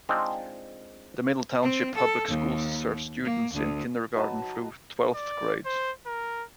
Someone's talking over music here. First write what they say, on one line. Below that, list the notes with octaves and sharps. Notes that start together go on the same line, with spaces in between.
The Middle Township Public Schools serve students in kindergarten through twelfth grade.
G#3 C4 D4 D#4 F4
C4
A4
D#2
A#3
D2
F#3 D#4 B4 A5
D5
C5
A#4